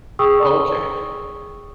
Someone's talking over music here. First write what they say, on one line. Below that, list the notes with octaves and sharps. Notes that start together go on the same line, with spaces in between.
Oh, okay,
G#4 G5 C#6 D#6 E6